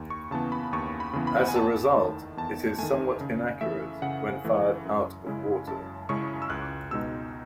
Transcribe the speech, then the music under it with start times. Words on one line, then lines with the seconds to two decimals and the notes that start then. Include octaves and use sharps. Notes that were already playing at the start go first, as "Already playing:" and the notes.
As a result, it is somewhat inaccurate when fired out of water.
Already playing: D#2
0.10 C#6
0.31 C#3 E3 B3 A5
0.52 B5
0.73 D#2 C#6
1.00 B5
1.13 C#3 E3 B3
1.27 B5
1.41 F#5
1.48 G#5
1.56 E2 A5
1.96 D#3 A3
2.37 E2 A5
2.78 D#3 A3 G#5
3.21 C#3
3.61 E3 A3 E5
4.02 C#3 F#5
4.45 E3 A3
4.85 F#2
5.27 C#3 G#3 C#4 E4
5.67 F#2 A5
6.09 C#3 G#3 C#4 E4 C#6
6.42 E6
6.50 C#2 F#6
6.91 B2 G#3 D#4 E6